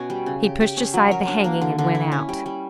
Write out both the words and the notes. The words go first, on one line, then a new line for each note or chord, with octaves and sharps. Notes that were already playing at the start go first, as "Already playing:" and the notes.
He pushed aside the hanging and went out.
Already playing: B2 C#4 F#4
G3
C#3
G4
G4
C#4
F#3
A#4
D4
A#3
D3
D3
E4
C#4
G3
G3